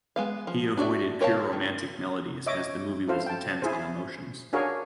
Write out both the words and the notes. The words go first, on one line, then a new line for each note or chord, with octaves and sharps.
He avoided pure romantic melodies as the movie was intense on emotions.
G#3 B3 F5
F3
D4 F#4 D5 E5
A#4 C#5 F5 F#5 A5
D#3
C#5 D#5 E5 D6
E4 A4 C5 F5
G5 A5
E4 G#4 C5
D4 F#4 G#4 A#4 C#5 F5